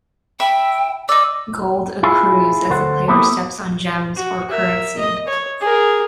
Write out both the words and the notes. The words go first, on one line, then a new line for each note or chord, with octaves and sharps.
Gold accrues as the player steps on gems or currency.
E5 G5 B5
D#4 D5 E6
E4 F4 G#4
D2 A4 C5 F#5
A#3 B3 E4 G4 A4
F#4
A#4 E5
D#5
C#5
G#4 A#4